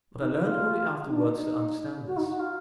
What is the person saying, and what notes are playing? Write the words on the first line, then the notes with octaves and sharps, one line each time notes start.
But I learned only afterwards to understand this.
D#4
F4
D#4
D4
D#4
F#4
D#4
F#4
F4